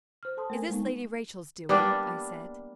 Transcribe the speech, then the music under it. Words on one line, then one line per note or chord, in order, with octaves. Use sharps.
"Is this Lady Rachel's doing?" I said.
C5 F6
A4 A5 C6 D#6
A3 A#4 G#5
G3 G#3 A#3 B3 D#4
G3 A#3 B3 D4